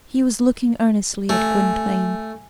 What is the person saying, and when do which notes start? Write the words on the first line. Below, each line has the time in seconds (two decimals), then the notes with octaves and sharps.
He was looking earnestly at Gwynplaine.
1.29 A3 G#5